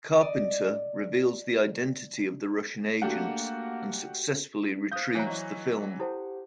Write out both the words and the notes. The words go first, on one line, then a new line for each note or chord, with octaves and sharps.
Carpenter reveals the identity of the Russian agents, and successfully retrieves the film.
D5 D#5
A3 A#3 D4 F#4 G4 F#5
C5 F5 D#6 G6
E3 F#3 C5 E5 A#5
D5 D#5 A#5 C#6
E4 G4 A4 C5 F#5 A5